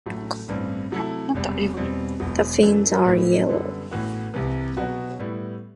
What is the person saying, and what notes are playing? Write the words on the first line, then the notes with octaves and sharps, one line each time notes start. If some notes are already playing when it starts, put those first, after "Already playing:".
The fins are yellow.
A1 A2 F#3 A3
A1 G2 E3 G3 C4
C3 F#3 A3 E4 A4
E1 E2 C3 G3
E2 B2 G3 C4
E1 E2 B2 F#3
F#2 E3 A3 D4
A1 A2 E3 B3 E4
F#2 D3 G3 B3
A1 A2 E3 B3 F#4
C2 C3 E3
B2 F#3 B3 F#4
A2 G3 B3 E4